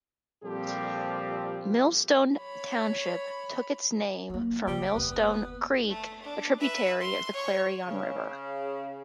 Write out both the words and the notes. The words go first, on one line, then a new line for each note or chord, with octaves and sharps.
Millstone Township took its name from Millstone Creek, a tributary of the Clarion River.
A#2 F3 G3 C4 G4 A4
C#5 B5
F#3 A#3
C#3 G3
F#1 D#2 B3
A3
D4
B4 E5
C6
C#5 C#6
C#3